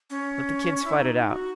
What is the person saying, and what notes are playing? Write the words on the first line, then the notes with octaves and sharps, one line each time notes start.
"Let the kids fight it out."
C#4
E4
D#4
F#4